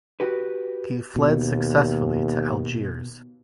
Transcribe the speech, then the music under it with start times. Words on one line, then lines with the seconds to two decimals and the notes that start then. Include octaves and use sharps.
He fled successfully to Algiers.
0.20 F#4 G4 B4
1.16 D#2 B2